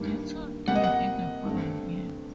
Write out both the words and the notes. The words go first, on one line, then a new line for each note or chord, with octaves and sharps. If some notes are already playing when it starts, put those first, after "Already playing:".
Ditton died in the following year.
Already playing: G2 D#3 G3 A#3
C3 G3 A#3 F#5
D#5
F#5
G2 D3 A3 C4